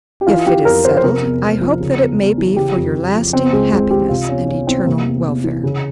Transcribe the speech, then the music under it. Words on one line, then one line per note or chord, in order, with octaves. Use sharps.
"If it is settled I hope that it may be for your lasting happiness and eternal welfare."
G4
E3 F4
E3 G4
F2 A#4
F2 C5
C5
C3 A#4
E2
E2
F3
C#3
E2
E2
E3
C#3 G4
F2
F2
F3
C#3 C4
C#2 G#3
C#2 G#3
E3 G4
C3 F4
E2 C#4
E2 C#4
E3 C4
C3 A#3
E2
E2
E3
C#3